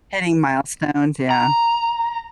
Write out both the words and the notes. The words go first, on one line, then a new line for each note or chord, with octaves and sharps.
Hitting milestones, yeah.
A#5